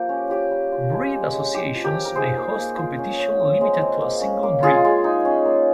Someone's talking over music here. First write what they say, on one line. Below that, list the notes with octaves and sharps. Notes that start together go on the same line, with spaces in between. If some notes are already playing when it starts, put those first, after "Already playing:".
Breed associations may host competition limited to a single breed.
Already playing: F3 A#3 F4 G4
C#4
F4 G4
G3
F4
G#3
C#4
G#3
C#4 G4
F3
G4 A#4
F3
A#4
D#4 G#4 C5
A#3
A#3
F4
C#4
C#4
C4
G#3
C4
A#3
C#4
A#3
G#3 F4 G#4
G#3
D#4
C#4
A#3